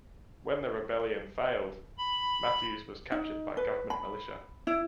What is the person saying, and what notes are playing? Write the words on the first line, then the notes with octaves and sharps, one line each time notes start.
When the rebellion failed, Matthews was captured by government militia.
B5
D#4
B4
B5
E4